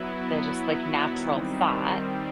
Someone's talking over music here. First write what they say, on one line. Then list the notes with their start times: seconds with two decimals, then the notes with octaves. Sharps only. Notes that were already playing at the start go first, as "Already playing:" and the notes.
the just, like, natural thought,
Already playing: F#3 B3 E4
1.07 D#3 G3 C4